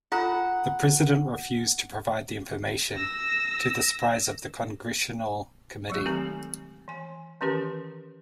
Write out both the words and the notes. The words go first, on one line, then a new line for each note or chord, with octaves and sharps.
The president refused to provide the information, to the surprise of the Congressional committee.
F4 A4 F#5 A#5
E6 A#6
F#3 G#3 A3
D#3 C4 D#4 G4 A4 G#5
E3 G#5
D#3 E3 C#4 G4 A#4 B4